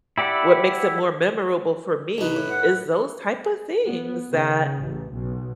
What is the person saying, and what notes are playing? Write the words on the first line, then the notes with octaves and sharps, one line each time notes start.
what makes it more memorable for me is those type of things that
E4 G4 D5 F#5
C2 D#4 B4
A2
F#5
B3
C#3
A1
B1